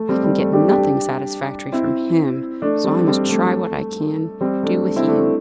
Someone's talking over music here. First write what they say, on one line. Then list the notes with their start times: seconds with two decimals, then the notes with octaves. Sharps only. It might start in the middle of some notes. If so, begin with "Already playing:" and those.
I can get nothing satisfactory from him; so I must try what I can do with you.
Already playing: A3
0.09 G3 C4
0.24 G3
0.38 A3
0.53 D4 G4
0.68 D4 G4
1.72 C4 E4
2.62 A3 D4
2.84 G3 C4
3.07 G3 C4
3.29 A3
4.41 G3 C4
4.63 A3 D4
4.96 C4 E4
5.08 A3 D4
5.19 A3